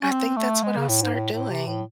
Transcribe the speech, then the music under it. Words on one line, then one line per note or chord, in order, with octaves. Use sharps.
I think that's what I'll start doing.
C#4
C4
A3
G#3
C#3
A2
G#2
A2
A2
C3
A2